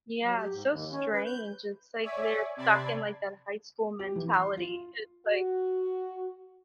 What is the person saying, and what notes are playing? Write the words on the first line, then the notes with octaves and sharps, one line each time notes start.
Yeah, it's so strange. It's like they're stuck in, like, that high school mentality. It's like,
F#3
G4
G#2
D#2
C#4
B4
G6
C#5 D5 E5 G#5
C3 D5 A5 B5 C6 G#6
G4
E3
C6
F4
F#4